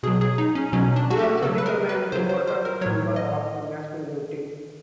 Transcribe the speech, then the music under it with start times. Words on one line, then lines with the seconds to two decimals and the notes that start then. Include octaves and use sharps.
He also became an important member of the national youth team.
0.03 B2 F#3 G#4
0.21 G#4
0.38 D#4
0.55 C#4
0.73 B2 F#3 C#4
0.96 D4
1.10 F#4
1.19 G4
1.43 C#3 F#3 A4
1.58 B4
1.66 A#4
1.89 B4
2.12 C#3 F#3 C5
2.29 C5
2.47 C5
2.65 A#4
2.81 A2 F#3 C#5
3.16 D#5